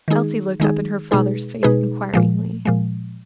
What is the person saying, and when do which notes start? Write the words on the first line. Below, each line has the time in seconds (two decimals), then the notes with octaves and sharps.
Elsie looked up in her father's face inquiringly.
0.08 D#3 G#3 D#4 G#4
0.60 D#3 G#3 D#4 G#4
1.11 B2 G#3 D#4 G#4 B4
1.63 B2 G#3 D#4 G#4 B4
2.14 A#2 F3 G#3
2.65 A#2 F3 G#3